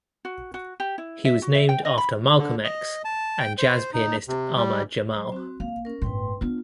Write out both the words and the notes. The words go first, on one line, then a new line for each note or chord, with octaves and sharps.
He was named after Malcolm X and jazz pianist Ahmad Jamal.
F#4
F#4
G4
E4
E5
F#4
E5
G5
D#5
B5
D3
D#5
A5
G5
C5
D#4
C3
G3
F#3 C5
C4 F#4
A#3 F5
C#4 A#4
G1 A2 B4 G5 C6
B3 D4 F4